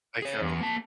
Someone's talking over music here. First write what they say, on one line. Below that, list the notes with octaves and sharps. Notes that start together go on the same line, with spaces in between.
Like, um,
G#4 C#5
E2
A#3 A5